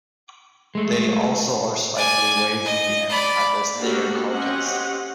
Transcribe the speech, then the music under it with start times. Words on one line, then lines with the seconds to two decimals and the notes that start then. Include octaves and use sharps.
They also are slightly wavy and have a thinner cortex.
0.75 G#3 A3
1.96 D5 G#5
2.65 D#5
3.10 D5 B5
3.78 A#3 B3 D4 F#4 G4 A4
4.28 C4 C#4 G4 D#5 F#5